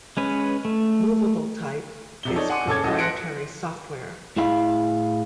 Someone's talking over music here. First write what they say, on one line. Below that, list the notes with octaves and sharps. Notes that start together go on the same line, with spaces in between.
Movable Type is proprietary software.
G#3 C#4 B4
A3
E1 C3 G7
D#4 A4 C#5 D5
F#5 G#5 C6 D6 C#7 D#7
F#1 C#3 A4 C#5 D6 G#6
C#2 C#4 E4 F#4 A4 D#5
C6 F#6 A#6 C#7 D7
A2 E4 G#4 F5 B5